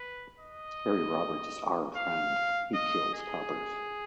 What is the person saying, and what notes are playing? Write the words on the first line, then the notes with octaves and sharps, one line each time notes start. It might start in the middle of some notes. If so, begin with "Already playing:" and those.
Harry Roberts is our friend, he kills coppers.
Already playing: B4
D#5
F5
D#5
G#4